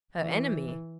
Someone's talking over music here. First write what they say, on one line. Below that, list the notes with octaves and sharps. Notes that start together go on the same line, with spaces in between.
"Her enemy?"
E3